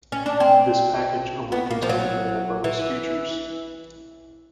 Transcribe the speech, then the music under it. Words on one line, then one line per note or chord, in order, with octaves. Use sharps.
This package only contained minimal bonus features.
C#4
D4
C4
B3
A#3
F3
F#3
E3